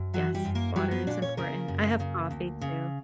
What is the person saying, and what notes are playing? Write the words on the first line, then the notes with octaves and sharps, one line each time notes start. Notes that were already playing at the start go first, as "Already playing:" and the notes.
Yes, water is important. I have coffee, too.
Already playing: F#2
E3 F#3 F#4
G3 G4
F#2
A#3 A#4
F#3 G3 G4
B3 B4
A#2 D4 D5
C#4 C#5
C#3 A#3 A#4
F#2
C#3
D2
C#3